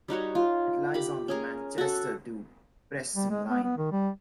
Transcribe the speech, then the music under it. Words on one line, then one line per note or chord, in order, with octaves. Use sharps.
It lies on the Manchester to Preston Line.
G3 D#4 F#4 C#5
F4
G4 B5
C#4 G#4 A#4
F#4 A4
G3
G#3
B3
B3
D#3
G3